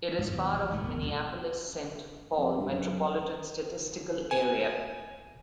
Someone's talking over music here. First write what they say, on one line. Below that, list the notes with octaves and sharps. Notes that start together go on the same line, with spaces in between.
It is part of Minneapolis St.Paul metropolitan statistical area.
G#2 G3
E2 C3 E3
A#1
G#2 E3 A3
F1 D#2 B3
F#1 C#2 A#2 D4
F2
G2
F#2
G#5